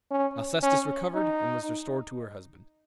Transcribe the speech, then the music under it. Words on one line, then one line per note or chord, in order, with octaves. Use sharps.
Alcestis recovered, and was restored to her husband.
C#4
C#4
D#4